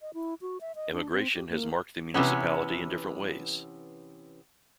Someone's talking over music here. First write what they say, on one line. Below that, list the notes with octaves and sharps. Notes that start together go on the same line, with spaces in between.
Emigration has marked the municipality in different ways.
D#5
E4
F#4
E5
D#5
D4
C4
G4
A#3
C3 E3 B3 C#4